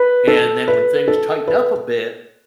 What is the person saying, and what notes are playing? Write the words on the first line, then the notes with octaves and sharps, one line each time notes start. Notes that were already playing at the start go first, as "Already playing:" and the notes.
and then when things tighten up a bit,
Already playing: B4
A4
B4
A4
B4